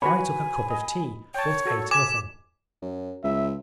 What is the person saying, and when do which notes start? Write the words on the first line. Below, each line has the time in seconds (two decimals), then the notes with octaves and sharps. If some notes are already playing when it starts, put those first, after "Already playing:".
I took a cup of tea, but ate nothing.
0.02 F#4 B4 C#5 G#5 B5
0.70 D#5
1.34 C#5 G5 A5
1.66 F#4 A4
1.91 G#5 D6 E7
2.82 F#2
3.24 C#2 E5